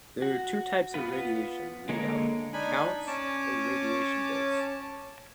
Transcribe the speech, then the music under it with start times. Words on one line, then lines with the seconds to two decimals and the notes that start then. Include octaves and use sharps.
There are two types of radiation readout: counts or radiation dose.
0.22 F#4
0.94 B3 F4 B4
1.89 D3 G#3 A#3 A#4 C#5
2.53 D4 D#4 G#5 B5
3.07 C#4 C#5 A5 D6